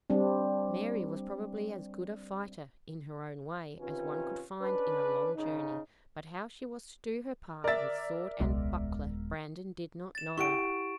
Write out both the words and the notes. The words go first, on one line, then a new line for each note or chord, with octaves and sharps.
Mary was probably as good a fighter, in her own way, as one could find in a long journey, but how she was to do her part with sword and buckler Brandon did not know.
G3 C4 D4
C3 D#3 C#4 F4 B4
C#4 D4 B4
G#2 C#3 D#4
A#4 D5 E5 A6
D#1 C2 G#3 B3
A6 E7
E4 G4 F#5 C#6 D7